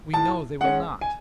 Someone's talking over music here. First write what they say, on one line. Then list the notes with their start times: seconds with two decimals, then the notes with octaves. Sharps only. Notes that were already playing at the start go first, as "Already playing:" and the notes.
We know they will not.
0.13 A2 A5
0.61 G#3 C#4 F#5
1.01 G#5